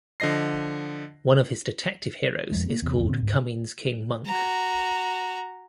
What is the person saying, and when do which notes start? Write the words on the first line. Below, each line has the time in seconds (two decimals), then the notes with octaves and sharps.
One of his detective heroes is called Cummings King Monk.
0.20 D3 F3 D#5 A#6 C7
2.52 F2 F3 G#3 A3
2.66 A#3 B3
2.82 E2 C3
2.97 F#1 E2
3.09 A#2 D3 C4
3.22 D2 G#2
4.26 F#4 A#5